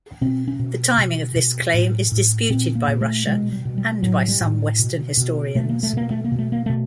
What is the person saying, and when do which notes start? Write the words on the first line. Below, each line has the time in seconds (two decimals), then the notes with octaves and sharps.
The timing of this claim is disputed by Russia and by some western historians.
0.21 B2 C4
0.48 C#4
0.59 B2
0.98 B2
1.36 B2
1.74 A2
2.12 A2
2.50 A#2 C4
2.75 A#3
2.88 A#2
3.01 A3
3.26 B2 G#3
3.52 G3
3.65 B2
3.78 G3
4.03 A2 F#3
4.28 G3
4.41 A2
4.79 B2
5.17 B2
5.55 B2 A3
5.69 A#3
5.83 A3
5.93 B2 A#3
6.10 A3
6.24 A#3
6.32 B2
6.39 A3
6.52 A#3
6.66 B2 A3